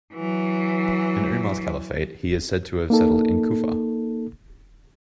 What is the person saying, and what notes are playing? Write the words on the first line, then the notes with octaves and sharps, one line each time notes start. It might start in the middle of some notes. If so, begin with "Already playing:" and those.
In Umar's caliphate he is said to have settled in Kufa.
E3 F#3
A#3 D#4 A4